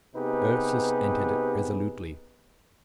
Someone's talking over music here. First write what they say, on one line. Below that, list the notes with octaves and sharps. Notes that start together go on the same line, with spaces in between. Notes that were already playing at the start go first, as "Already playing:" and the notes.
Ursus entered it resolutely.
C3 B3 D#4 G4 G#4 B4